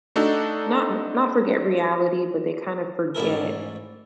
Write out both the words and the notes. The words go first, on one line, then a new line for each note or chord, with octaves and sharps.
not not forget reality, but they kinda forget,
A3 D4 D#4 F#4 A4
A1 G#2 E4 A4 A#4